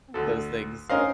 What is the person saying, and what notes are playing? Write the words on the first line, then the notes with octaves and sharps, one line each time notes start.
Those things.
D2 A4
C#4 A#4 C5 D#5 F5